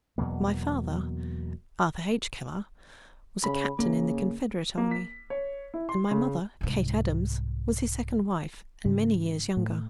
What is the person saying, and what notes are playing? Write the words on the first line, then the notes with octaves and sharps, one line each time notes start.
My father, Arthur H. Keller, was a captain in the Confederate Army, and my mother, Kate Adams, was his second wife and many years younger.
E2 B2 F#3 A#3
C#3 B5
C#3 A#3
A#3
B6
C#5
E4
C6
C#3
C2 G#2
G#2 C#3
A2